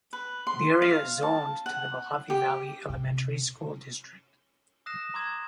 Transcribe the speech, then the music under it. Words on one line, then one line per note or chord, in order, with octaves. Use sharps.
The area is zoned to the Mohave Valley Elementary School District.
B4
C6
F5
A5
F#5
G4
C3
D#6 E6 F#6 A#6 C7 E7
A#5 C6 D6 E6 G#6 E7